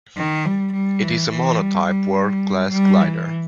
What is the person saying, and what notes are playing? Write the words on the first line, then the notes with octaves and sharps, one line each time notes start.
It is a monotype World Class glider.
D#3
G3
G3
E3
E3
G3
G3
G3
E3